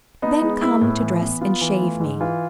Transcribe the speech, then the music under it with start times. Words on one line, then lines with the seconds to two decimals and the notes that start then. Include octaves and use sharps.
"Then come to dress and shave me."
0.22 B3 D#4
0.42 G#3
0.61 B3 E4
0.81 A2 E4
1.02 E3
1.21 B3
1.41 B3 F4
1.61 E3
1.81 A3
2.01 G#2
2.21 E3 F4